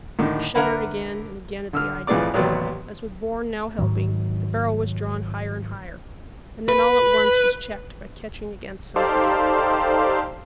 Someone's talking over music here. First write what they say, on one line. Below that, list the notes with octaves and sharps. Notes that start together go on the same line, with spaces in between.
He shuddered again and again at the idea, as with Bourne now helping, the barrel was drawn higher and higher, and then all at once was checked by catching against some projection.
A2 D3 D#3
D3 A#4 B4 E5 F#5 B5
D3 E6 F6
F2 A2 E3 G#4 D5 D6
A1 D#2 C3 F#3 B3 D5
G#2 D#3 F#3
B4
D#4 G4 A4 C5 D5 F5